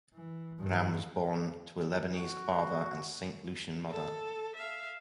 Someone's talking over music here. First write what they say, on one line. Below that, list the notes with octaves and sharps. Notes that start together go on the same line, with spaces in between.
Karam was born to a Lebanese father and a Saint Lucian mother.
E3
G2 E3
F#4
A4
E5 F5